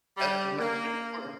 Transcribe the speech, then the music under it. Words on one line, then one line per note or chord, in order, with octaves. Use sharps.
That's what makes it important.
G3
A#3